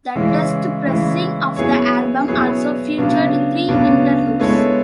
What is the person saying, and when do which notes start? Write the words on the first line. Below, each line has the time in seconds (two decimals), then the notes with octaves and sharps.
The test pressing of the album also featured three interludes.
0.15 C#3 E3 G#3 C#4 E4
0.86 C#3 E3 G#3 C#4 E4
1.56 F#3 B3 E4 G#4 C#5
2.28 F#3 B3 E4 G#4 C#5
2.98 C#3 F#3 B3 D4
3.69 C#3 F#3 B3 D4
4.40 G#3 B3 E4 A4 C#5